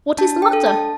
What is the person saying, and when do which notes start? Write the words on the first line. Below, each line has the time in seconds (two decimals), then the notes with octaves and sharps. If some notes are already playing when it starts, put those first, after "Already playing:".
'What is the matter?
0.18 D4 A5
0.42 G5
0.53 A4
0.66 A5